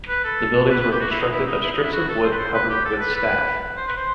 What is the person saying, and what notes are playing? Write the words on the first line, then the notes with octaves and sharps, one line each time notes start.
The buildings were constructed of strips of wood covered with staff.
B4
A4
B4
B4
G4
F#4
E4
D#4
E4
D#4
E4
D#4
E4
F#4
A4
C5
B4
C5
B4
G4
A4
B4
B4
C5
B4
C5